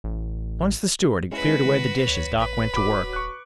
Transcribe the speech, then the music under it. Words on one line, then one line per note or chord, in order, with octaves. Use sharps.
Once the steward had cleared away the dishes, Doc went to work.
A1
G#3 C#4 E4 F#4 B4
D3
D2 C#5
A1 B4
D#1 F#4 C#5 B5 D6
C#6 F#6